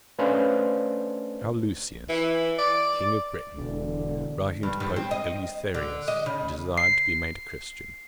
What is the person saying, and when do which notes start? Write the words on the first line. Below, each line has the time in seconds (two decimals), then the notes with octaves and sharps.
How Lucius, king of Britain, writing to Pope Eleutherus, desired to be made a Christian.
0.19 A3 C#4 D4 B4 C5 F5
2.09 E3
2.58 D5
3.58 E1 D3
4.63 G2
4.80 E2
4.96 C4
5.11 D#5
5.74 D3
6.08 D#5
6.26 C#3
6.78 C7